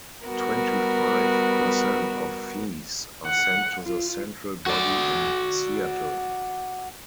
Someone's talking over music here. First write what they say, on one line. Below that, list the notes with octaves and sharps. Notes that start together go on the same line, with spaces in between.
Twenty-five per cent of fees are sent to the central body in Seattle.
G3 B3 F#4 A#4
F#5
F4
F#4 D5